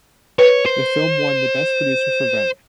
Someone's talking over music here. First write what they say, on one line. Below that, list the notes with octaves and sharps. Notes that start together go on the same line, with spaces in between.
The film won the Best Producer for Ven.
B4 C#5
C5